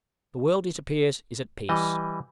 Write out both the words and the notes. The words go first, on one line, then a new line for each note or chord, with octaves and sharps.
The world, it appears, is at peace.
E3 G3 D#5